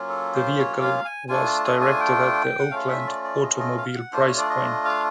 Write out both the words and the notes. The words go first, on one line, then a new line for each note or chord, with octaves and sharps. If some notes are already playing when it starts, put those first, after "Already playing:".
The vehicle was directed at the Oakland automobile price point.
Already playing: F#3 A#3 C#4 F4
A4
C5
C#5
F5
G#5
A3 D4 F4 G#5
A5
G#5
G#5
G5
F#5
A3 C#4 F4 F5
E5
D5
D5
D#5
D#5
F5
F#5
A3 D4 F4 C5
C#5
D5
D#5
F5